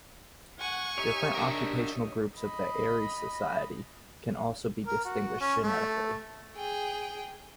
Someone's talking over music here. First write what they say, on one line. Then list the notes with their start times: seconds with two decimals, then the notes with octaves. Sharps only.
Different occupational groups of the Aari society can also be distinguished genetically.
0.60 F#5 G#5 C#6
0.98 D#4 G4 C#5 E5
1.34 D4 A#4
2.39 D#5 B5
4.87 A#4
5.05 F#4
5.41 C#4
5.63 A3
6.57 G#4 G5